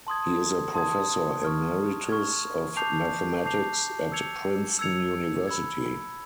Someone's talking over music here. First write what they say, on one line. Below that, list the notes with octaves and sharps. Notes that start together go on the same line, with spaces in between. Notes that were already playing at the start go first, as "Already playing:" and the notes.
He is a professor emeritus of Mathematics at Princeton University.
A5 C6 D#6 G#6
A5 C6 D#6 G#6
C#6 F6 G#6
C#6 F6 G#6
A5 D6 G6 C7 F7
A5 D6 G6 C7 F7
E6 G#6 C#7 F7
E6 G#6 C#7 F7
B5 E6 G#6